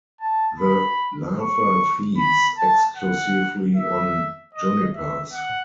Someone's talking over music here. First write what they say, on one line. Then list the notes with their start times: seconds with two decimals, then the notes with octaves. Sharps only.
The larva feeds exclusively on junipers.
0.21 A5
0.59 B5
1.39 C#6
2.17 B5
2.57 A5
2.97 F#5
3.76 E5
4.55 D#5
4.94 E5
5.33 F#5